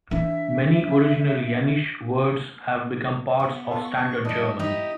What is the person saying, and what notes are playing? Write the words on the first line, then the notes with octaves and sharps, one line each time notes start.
Many original Yeniche words have become parts of standard German.
E3 D4 E5
B3
F4 A4
C#6
G3 D4 E4 D#5
D#4 E4 G4 D#5